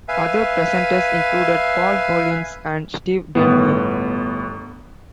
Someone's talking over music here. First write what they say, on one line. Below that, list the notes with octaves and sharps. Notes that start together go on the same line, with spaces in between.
Other presenters included Paul Hollins and Steve Denyer.
B4 E5 F5 G#5
G1 A2 B3